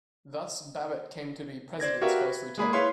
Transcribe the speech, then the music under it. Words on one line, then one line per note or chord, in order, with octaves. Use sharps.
Thus, Babbitt came to be "President"s first lieutenant.
C5 D5 G#6 A#6
F#4 G4 A#4 B4 E5 F5
B4
G#3 A#3 G#4 B5
E4 B4 C#5 F5 C6